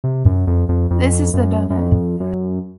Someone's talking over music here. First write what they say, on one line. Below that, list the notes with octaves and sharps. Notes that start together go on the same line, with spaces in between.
This is the donut.
C3
F#2
F2
F2
F2
F#2
F#2
F2
F#2